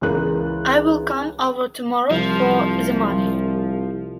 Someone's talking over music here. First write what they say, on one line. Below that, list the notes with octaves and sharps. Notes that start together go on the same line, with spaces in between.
I will come over tomorrow for the money.
C#2 E3 A#4 F#6
C2 F3